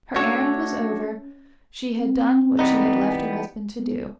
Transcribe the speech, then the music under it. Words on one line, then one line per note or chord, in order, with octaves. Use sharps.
Her errand was over; she had done what she had left her husband to do.
A3 C#4 D4 F#4 A4 C#5
C4
E3 G3 B3 D#4
B3